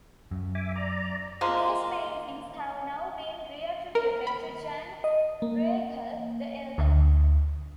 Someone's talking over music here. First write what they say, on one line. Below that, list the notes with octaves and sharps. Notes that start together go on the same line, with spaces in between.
These paintings have now been reattributed to Jan Brueghel the Elder.
F#2
E5 G#5 D6
D5 A#5
F3 G#3 A#3
A#4
B5
D#5
A#3
D2